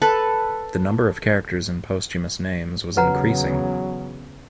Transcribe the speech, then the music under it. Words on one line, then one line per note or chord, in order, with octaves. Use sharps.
The number of characters in posthumous names was increasing.
A4 B4
E2 C#3 F#3 B4 F#5 A#5